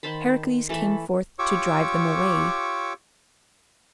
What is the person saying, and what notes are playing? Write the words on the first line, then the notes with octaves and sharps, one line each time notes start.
Heracles came forth to drive them away.
D#3 C5 A5 B5
E3 A3 A5 B5
F4 G4 C#5 C#6 D6 E6